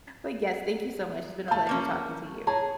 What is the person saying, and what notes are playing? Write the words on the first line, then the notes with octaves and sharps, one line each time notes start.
but, yes, thank you so much. It's been a pleasure talking to you.
A3 F5 A5 G6
F3 A#3 C#4
G#4 C#5 A5 A#5